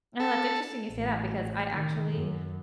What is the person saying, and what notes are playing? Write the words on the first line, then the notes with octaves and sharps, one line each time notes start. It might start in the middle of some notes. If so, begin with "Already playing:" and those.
And that's interesting you say that because I actually
A4
A1
D#3
F#2